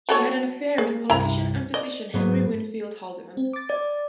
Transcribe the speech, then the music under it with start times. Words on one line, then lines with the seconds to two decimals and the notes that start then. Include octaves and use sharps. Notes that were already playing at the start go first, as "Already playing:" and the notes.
She had an affair with politician and physician Henry Winfield Haldeman.
0.09 F#3 A4 C#5
0.78 A#3 G#4
1.10 C2 G2 C3 E4 A#5
1.74 D5 D#5
2.14 G#2 F#3 B3
3.37 C4
3.53 D6 A6
3.70 D5